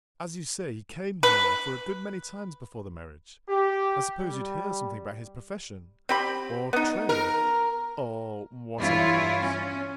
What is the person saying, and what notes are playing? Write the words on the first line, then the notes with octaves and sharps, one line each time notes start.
"As you say he came here for a good many times before the marriage, I suppose you'd hear something about his profession, or trade, or whatever it was?"
B4
G4
G3
C4 G4 B5
B3 D#4
A#4
G2 E3 G3 E4 F4 C#5
C#4